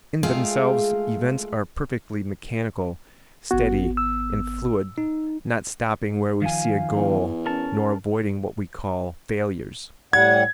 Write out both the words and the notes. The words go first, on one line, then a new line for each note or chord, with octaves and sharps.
In themselves events are perfectly mechanical, steady, and fluid, not stopping where we see a goal nor avoiding what we call failures.
G#3 A3 F4 G#4 F5 G5
G#1 B3 F#4
E6
D#4
D#3 F3 F5 G#5
E2
C#4 A#4 A5
A2 G3 F#5 G#6